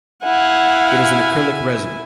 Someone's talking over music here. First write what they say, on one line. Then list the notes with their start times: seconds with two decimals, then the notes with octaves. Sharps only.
It is an acrylic resin.
0.24 E4 F5 F#5 G#5